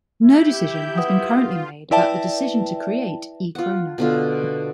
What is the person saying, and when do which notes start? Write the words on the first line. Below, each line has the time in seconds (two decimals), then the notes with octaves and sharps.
No decision has been currently made about the decision to create "e-krona".
0.24 E4 G4 G6
0.98 F4 B4 F#5 D#6
1.91 E4 B4 D5 E5 G5 A5
3.55 F4 F#5
3.98 B2 D3 F4